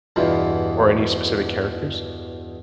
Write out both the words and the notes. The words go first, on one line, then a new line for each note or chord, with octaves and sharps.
or any specific characters?
E2 G2 B2 E3 F4